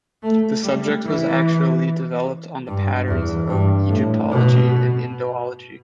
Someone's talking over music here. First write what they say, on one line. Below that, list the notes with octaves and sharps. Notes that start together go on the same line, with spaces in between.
The subject was actually developed on the patterns of Egyptology and Indology.
A3
G3
E3
G2
E2
G2
A2
B2